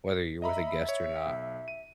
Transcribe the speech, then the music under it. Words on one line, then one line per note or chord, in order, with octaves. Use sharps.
whether you're with a guest or not.
D#5 E5 A#5 B5
C#5
B1
D#7